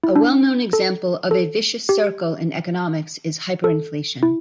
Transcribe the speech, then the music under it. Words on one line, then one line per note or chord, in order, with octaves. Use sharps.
A well-known example of a vicious circle in economics is hyperinflation.
E4
D4
A4
A4
G4
A4
E4